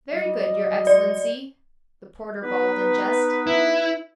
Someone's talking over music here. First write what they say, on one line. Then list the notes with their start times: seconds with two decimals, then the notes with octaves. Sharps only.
"Very good, your Excellency!" the porter bawled in jest.
0.12 F#3 G3 D#5
0.87 D5
2.43 B3 D#4 B4
3.47 E4